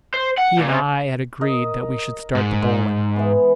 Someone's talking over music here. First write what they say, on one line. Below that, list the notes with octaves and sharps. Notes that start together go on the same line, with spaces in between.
He and I had agreed that we should start the bowling.
C5
F#5
A#2
C3
A#4 D#5
G#2
G#3
E3 B3